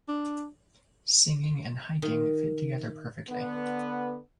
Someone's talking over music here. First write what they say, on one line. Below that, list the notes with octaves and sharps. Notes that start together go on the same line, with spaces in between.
Singing and hiking fit together perfectly.
D4
D#3
D3 B3